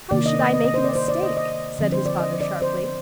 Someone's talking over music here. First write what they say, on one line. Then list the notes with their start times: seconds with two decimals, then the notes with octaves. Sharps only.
"How should I make a mistake?" said his father, sharply.
0.11 C3 D#3 A#3 D5
0.26 D#5
0.39 D#5
0.53 D#5
0.64 D#5
0.74 C5
0.84 D5
0.95 C5
1.08 D5
1.23 D#5
1.37 D#5
1.79 D3 F3 C4
1.92 C5
2.06 D5
2.20 D#5
2.41 D5
2.62 C5